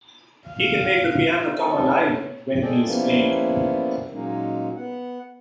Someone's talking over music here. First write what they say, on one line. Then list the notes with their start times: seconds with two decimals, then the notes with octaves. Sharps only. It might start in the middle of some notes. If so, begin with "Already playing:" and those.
He can make the piano come alive when he is playing.
0.49 F5
1.59 C4 D#4 A4 C#5
2.62 G#3 G#4 A4 D5 G5
2.85 F3 G3 A#3 B3 C#4 E4
4.13 A#2 F#3 G#3 A#3 C#4 D#4
4.76 B3 F#5